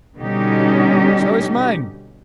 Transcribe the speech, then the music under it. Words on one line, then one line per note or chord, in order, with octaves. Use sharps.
"So has mine."
B2 D3 G3 C#4 D#4 G4